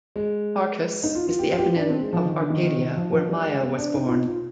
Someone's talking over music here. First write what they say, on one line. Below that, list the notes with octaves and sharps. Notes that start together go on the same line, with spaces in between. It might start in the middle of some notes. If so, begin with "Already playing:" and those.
Arcas is the eponym of Arcadia, where Maia was born.
G#3
D#4
F4
F4
G4
F4
G4
F4
D4
C4
G#3
F3
D#3
D3
D#3
D#3
D#3
F3
F3
G3
G#3
B3
D4
D#4
F4
D#4
F4